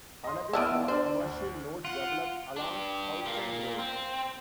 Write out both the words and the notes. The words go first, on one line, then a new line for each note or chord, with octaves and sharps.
Another small commercial node developed along Haultain Road.
D#5 C6
B3 D4 E4 E6 F6 D7
D4 C5
D2
F4 F#5
D4 G4
A#2 A#3
C4